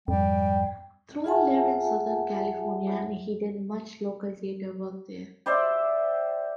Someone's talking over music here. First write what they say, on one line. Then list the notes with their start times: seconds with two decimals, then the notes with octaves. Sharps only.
Throne lived in Southern California, and he did much local theater work there.
0.08 F2 G#2 G3 G5
1.24 F4 G#4 E5 F#5 G#5 A5
5.46 G4 C5 D5 E5